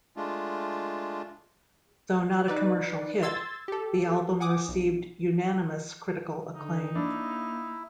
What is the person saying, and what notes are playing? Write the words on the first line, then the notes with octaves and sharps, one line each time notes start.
Though not a commercial hit, the album received unanimous critical acclaim.
G#3 A3 D4 F4
D#4 B4 D5
C6 E6 G#6 A6
G4 A4
F#5 G#5 D6 D#6
B1
D3 D#4
A#3 D4 E4